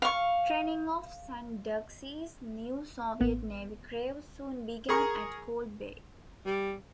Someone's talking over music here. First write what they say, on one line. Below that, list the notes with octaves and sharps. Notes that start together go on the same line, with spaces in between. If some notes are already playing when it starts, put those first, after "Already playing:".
Training of "Sanduksy"s new Soviet Navy crew soon began at Cold Bay.
F5 C#6
A1 B3
G#4 A#4 C#6
G3